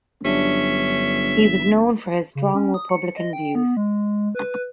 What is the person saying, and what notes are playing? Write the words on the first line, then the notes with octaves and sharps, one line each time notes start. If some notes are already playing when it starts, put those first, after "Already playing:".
He was known for his strong republican views.
G1 F#3 C#4 D4 G4 E5
C#3
C#4
D#6
C#7
D#5
G5
B3
G#3
B4